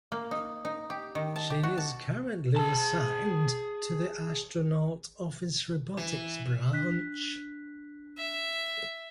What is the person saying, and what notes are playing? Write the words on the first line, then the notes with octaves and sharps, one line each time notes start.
She is currently assigned to the Astronaut Office Robotics Branch.
A#3
D#4
D#4
G4
D#3
A5
G4
F#4
A5
G#4 A5
E3
D4 F#6 B6
E5